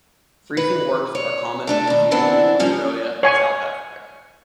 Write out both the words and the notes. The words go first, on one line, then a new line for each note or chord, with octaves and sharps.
Freezing works are common in New Zealand, Australia and South Africa.
B4
C#5
A3 D4 A4
B2 D#3
E3 B3 C4 D4 E4
F3 G3 A#3 C#4 D4
C#5 G#5 C#6